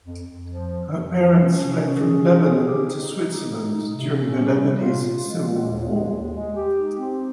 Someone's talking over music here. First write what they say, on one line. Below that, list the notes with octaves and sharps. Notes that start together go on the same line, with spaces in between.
Her parents fled from Lebanon to Switzerland during the Lebanese Civil War.
F2
F2
F3
F2
F2
F3
C#4
C3
C#4
G#4
C#4
G#4
G4
D#4
D#4
D#4
D#4
D#4
C3
C#4
G3
C3
F4
F4
G#3
G#3
D#2
G#3
D#2
G#3
G4
D#4
C4